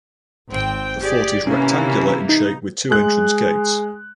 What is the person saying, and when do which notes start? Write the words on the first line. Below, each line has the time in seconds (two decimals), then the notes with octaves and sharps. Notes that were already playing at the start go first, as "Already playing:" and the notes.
The fort is rectangular in shape with two entrance gates.
0.49 G#1 C4 G5
1.01 G4 G#4 D5
1.47 C3 E3 A#3 C#4
2.29 D#4
2.91 G#3 G#4 F#6